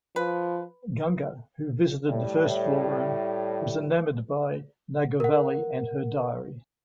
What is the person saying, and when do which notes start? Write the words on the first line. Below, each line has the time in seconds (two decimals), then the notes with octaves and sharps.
Ganga who visited the first floor room was enamoured by Nagavalli and her diary.
0.16 F3 B4
2.09 A2 G3
5.20 A#4 F#5